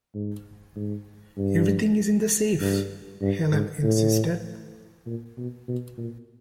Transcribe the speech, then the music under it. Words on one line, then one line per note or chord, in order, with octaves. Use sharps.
"Everything is in the safe," Helene insisted.
G#2
G#2
G2
G2
G2
G#2
A2
A#2
B2
B2
A#2